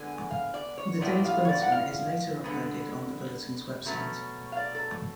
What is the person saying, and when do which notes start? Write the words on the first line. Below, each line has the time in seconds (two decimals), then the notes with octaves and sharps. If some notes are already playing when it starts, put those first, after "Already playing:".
The day's bulletin is later uploaded on the bulletin's website.
Already playing: D3 G#3 B3 G#5
0.31 F5
0.54 D5
0.78 C#5
1.01 A2 F3 B3 D5
1.25 F5
1.45 C#5
1.49 D5
1.62 F#5
1.72 F5
2.44 D3 G#3 B3
3.85 B2 F#3 A3 C#4
4.52 F5
4.57 D5
4.75 A4